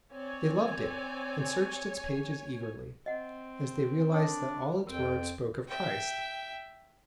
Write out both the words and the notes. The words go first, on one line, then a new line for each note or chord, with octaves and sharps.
They loved it and searched its pages eagerly, as they realized that all its words spoke of Christ!
C4 C#5 D5 G#5
C4 D#5 F#5
D4 C#5 D#6
F2 C4 A#4 G5
E5 G5